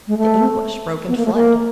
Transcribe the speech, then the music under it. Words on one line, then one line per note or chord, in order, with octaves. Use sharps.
The English broke and fled.
G#3
A3
B3
A#3
A3
A#3